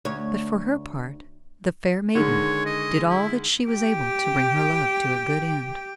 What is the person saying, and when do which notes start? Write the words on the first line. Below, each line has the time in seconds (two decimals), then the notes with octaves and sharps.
But for her part the fair maiden did all that she was able to bring her love to a good end.
0.05 D2 C#5
2.15 D3 D#3 G#3 C#5
2.66 D#5
3.10 E4
3.68 G4 G5